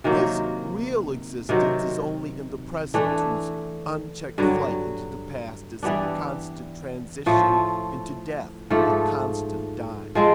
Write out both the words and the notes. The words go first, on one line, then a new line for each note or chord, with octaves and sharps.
His real existence is only in the present, whose unchecked flight into the past is a constant transition into death, a constant dying.
C3 D#3 F#3 A#3
C3 D#3 F#3
E3 A3 D4
G2 D3 F#3
E3 G3 B3 D4
A2 F3 A3
G#2 F3 A3
F3 G#3 C4